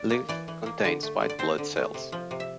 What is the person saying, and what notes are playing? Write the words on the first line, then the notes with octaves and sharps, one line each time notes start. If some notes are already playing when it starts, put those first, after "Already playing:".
Lymph contains white blood cells.
Already playing: D5
A#3
E3 D5
E3
A#3
D3
A3
D3
D5
C4 C5
D3
A3
C3
F3
C3
E5